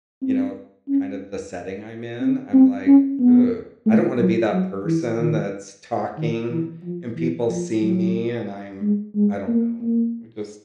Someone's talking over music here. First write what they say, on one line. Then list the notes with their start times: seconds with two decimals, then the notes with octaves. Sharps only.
you know, kind of the setting I'm in, I'm like, "Ew, I don't wanna be that person that's talking, and people see me, and I'm" I don't know, I just
0.22 C4
0.89 C#4
2.21 C4
2.53 C4
2.87 C#4
3.20 B3
3.86 A3
4.19 F#3
4.52 F#3
4.85 E3
5.18 D#3
6.17 D#3
6.51 E3
6.83 F3
7.16 E3
7.50 F3
7.82 F#3
8.82 G#3
9.15 G#3
9.48 A#3
9.81 A#3